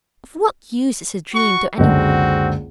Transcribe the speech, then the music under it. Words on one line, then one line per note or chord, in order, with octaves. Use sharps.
Of what use is a dream to any one?
F#4 C#6
F#1 C#2 D3 C4 F#4